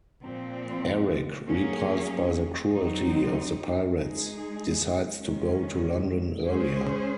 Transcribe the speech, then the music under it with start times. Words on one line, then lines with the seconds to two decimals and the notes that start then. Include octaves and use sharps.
Eric, repulsed by the cruelty of the pirates, decides to go to London earlier.
0.22 A#2 F3 C4
1.46 F#3 A#3 C#4 G#4
2.71 F#3 C4 D#4
3.96 G#3 D#4 G#4
5.20 D#3 G#3 C#4
6.45 G#3 C#4 G#4 C5